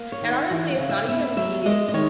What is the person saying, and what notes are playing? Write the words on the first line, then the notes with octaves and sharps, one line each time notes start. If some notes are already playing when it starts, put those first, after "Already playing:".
and, honestly, it's not even the
Already playing: A#3
C#5
D#3
E5
E3
F#5
C#3
E5
B3 E5
F#3 E5
G#3 D#5
D#5
D#3 C#5